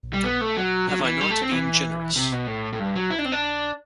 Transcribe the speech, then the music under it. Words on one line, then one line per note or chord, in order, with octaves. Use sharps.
Have I not been generous?
G3
B3
A3
F#3
F#3
D3
E3
G3
A3
C4
E3
C3
B2
A2
A2
G2
F#3
E4
D4
C4
D4